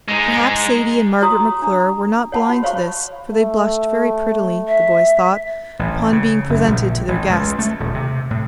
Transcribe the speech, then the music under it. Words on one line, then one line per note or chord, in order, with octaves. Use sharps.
Perhaps Sadie and Margaret McClure were not blind to this, for they blushed very prettily, the boys thought, upon being presented to their guests.
G#3 D#4
F#4 C#5 A#5 C6 D#6
D4 A#5
C#5 F#5 A5 B5
F#4
C5 C#5 F5 B5 C#6
A3
E5
A1
C#3
F#1
A#1
A1
C#2
A3
D#1
C3
A2